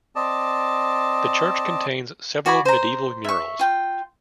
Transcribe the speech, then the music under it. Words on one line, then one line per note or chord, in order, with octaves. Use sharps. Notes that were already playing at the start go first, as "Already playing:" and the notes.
The church contains several medieval murals.
C4 D5 D#5 A5
F#4 D5 G#5 B5
C5 A#5
E5 C#6
F4 G5